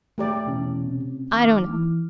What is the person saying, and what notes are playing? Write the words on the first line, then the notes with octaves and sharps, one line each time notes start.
'I don't know.
A3 G4 D5
E2 B2 C#4
C3
D#2 D6 F6
E3